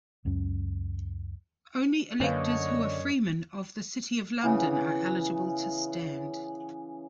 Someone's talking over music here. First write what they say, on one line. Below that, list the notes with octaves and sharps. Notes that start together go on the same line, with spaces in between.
Only electors who are Freemen of the City of London are eligible to stand.
C#2 F#2 F#3 C#4
F#2 D3 A#3 B4 C#5 D#5 F5
C#3 E3 B3